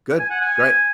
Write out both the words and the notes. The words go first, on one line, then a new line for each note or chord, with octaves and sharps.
Good. Great.
G#5
F#5
G#5